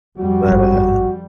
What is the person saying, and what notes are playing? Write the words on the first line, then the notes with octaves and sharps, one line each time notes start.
But, uh,
F2 G3 F#4
G#1 G2